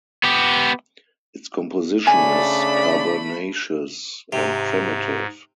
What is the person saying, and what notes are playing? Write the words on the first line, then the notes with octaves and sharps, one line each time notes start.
Its composition is carbonaceous and primitive.
B3 G4
C#3 A3 D4 D5 G#5 B5
G#2 C3